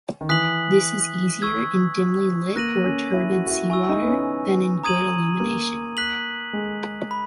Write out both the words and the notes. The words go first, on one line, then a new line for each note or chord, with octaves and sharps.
This is easier in dimly-lit or turbid seawater than in good illumination.
D#3
E3 D#6 F#6 B6 F#7
C#6 E6 G#6
A#3 F#6 A#6 D#7 F#7
C#4
E4
F#4
F#4
E4
E4 G#5 C#6 E6
D#4
B3
C#4
A#5 D#6 G#6 D#7 F#7
A#3
F#6 B6 F#7
G#3
B5